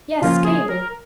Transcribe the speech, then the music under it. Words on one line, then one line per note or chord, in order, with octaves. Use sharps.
'Yes, cable.
C#3 F3 A#3 C#4 F4
G#4
A#4